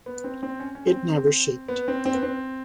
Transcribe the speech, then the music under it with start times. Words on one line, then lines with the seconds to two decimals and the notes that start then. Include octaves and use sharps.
It never shipped.
0.06 B3
0.24 C4
0.43 C4
0.60 C#4
0.75 C#4
0.87 C4
1.68 B3
1.88 C4
2.05 C4
2.14 B3
2.23 C4